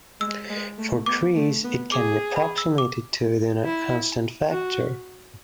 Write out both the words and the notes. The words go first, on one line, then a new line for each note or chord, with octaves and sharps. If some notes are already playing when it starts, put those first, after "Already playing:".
For trees, it can be approximated to within a constant factor.
G#3 E6
G#3
A3
B3 D6
A3
B3
G#4 D6
B5
E6
D6
E4
F#4